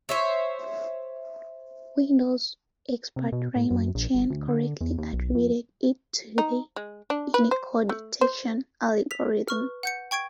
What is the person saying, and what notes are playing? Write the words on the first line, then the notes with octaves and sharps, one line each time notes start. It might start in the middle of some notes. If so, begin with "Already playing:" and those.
Windows expert Raymond Chen correctly attributed it to the Unicode detection algorithm.
C5 C#5 E5
C3
B2
A2
F#2
A#1
G1
D2
D3
E2
D#2
B1
F2
D#4
G#3
D4
B4
C5
A3
C5
B6 F7
B4 C#6 F6
F#5 G6 C#7
G5 C#6 G#6 D7